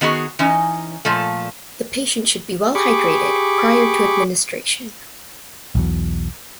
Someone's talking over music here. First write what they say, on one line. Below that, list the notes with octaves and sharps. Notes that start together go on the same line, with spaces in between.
The patient should be well-hydrated prior to administration.
D#3 B3 F#4 G#4
E3 C#4 D#4
A#2 F3 A3
G4 G#4 B5 C#6 D6
B1 E2 B2